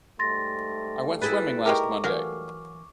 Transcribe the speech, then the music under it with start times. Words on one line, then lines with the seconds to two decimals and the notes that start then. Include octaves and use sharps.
I went swimming last Monday.
0.19 G#2 G3 A3 C6 A6 A#6
1.22 E4 G#4 B4 F#6 A6
1.66 G#3 G4 A#4 C#6 D6
2.04 E3 F#3 A#4 F5